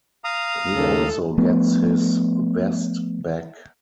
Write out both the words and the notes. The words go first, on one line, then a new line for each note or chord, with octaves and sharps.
He also gets his vest back.
F5 A#5 D#6
D#2 C#3 A4
F3 A3 B3